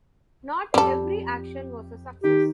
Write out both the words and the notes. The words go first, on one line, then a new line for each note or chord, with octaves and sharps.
Not every action was a success.
F2 G3 G4 A4
D#3 G4